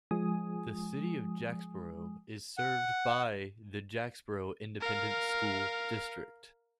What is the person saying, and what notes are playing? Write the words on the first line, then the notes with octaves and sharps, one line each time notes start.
The City of Jacksboro is served by the Jacksboro Independent School District.
F3 G#3 G#5 D#6
F#5
A#4 F5